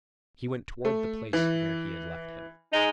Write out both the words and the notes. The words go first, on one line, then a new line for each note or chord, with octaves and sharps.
He went toward the place where he had left him.
A3
E3
G#3 D#4